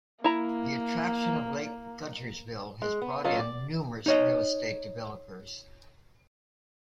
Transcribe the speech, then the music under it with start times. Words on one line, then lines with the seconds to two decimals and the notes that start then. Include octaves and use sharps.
The attraction of Lake Guntersville has brought in numerous real estate developers.
0.24 A#3 E4 A#5
2.82 G#3
3.02 B3
3.24 F#3 C#4 F4 A4 D#5
3.39 D5
4.06 D#4 C#5 D#5